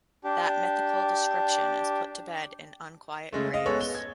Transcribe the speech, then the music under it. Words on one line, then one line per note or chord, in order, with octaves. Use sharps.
That mythical description is put to bed in "Unquiet Graves".
D4 G4
C#3 G#3 A3
D#5 F5
G#3 B3 A4 C#5
G7
G#6